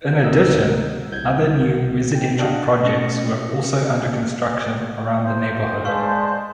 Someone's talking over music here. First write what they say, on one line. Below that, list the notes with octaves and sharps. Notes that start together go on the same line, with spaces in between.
In addition, other new residential projects were also under construction around the neighborhood.
D2 C3 D#3 A#4 D#5 E6
C2 G6 G#6
G5
D4 F#4 G4 D#5 F5 F#5
B2 A3 C#4 A#6 C#7
C5
G#3 B4 D5 F5 A5 C#6